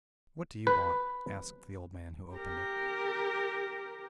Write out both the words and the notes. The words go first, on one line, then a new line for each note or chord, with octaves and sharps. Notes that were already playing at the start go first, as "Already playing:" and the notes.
'What do you want?' asked the old man who opened it.
B4
G4 A#4